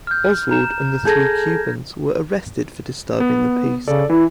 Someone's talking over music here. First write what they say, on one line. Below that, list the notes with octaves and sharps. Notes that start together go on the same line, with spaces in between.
Oswald and the three Cubans were arrested for disturbing the peace.
F6 G6
A#5 G6 E7
G#4 A4 G6 G#6 A#6
B3
C#3 A4 D5
E3 E4